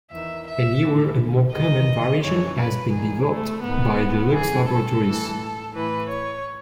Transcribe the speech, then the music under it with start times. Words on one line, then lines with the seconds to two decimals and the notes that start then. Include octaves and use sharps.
A newer, and more common variation, has been developed by Deluxe Laboratories.
0.12 E2 D#3 E5
0.47 E5
0.82 A2 E3
1.52 E2 D#3 D#5
2.23 F#2 C#3 E3 C#5
2.58 B4
2.92 E2 D#3 G#4
3.28 A3
3.63 G#2 D#3 B3
4.34 F#2 C#3 E3 G#4
4.69 A4
5.04 A2 E3
5.74 A2 E3 B4
6.09 C#5